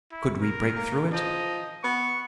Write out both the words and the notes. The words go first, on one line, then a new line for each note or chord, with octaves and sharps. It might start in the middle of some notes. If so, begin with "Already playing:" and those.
Could we break through it?
E4
A#4
A#3
F3 D#5
B3 C#6